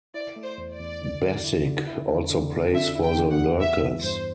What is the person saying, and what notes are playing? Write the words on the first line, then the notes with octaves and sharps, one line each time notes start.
Bassick also plays for The Lurkers.
E4 D5
A3
C5
E2
D5
E2
D3
D3
E4
D3
E4
D3
D3
E2
D3 E5
E4
G5
D3
F#5
E2
B3 E5
E3
G2 C5